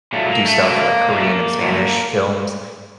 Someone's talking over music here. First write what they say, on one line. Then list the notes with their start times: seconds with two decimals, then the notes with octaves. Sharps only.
do stuff like Korean and Spanish films.
0.13 A#2 F#3 A3
0.29 A#3
0.45 A3
0.61 C3 F#3 A3 A#3
1.10 A#2 A3 A#3
1.60 A#2 F#3 A3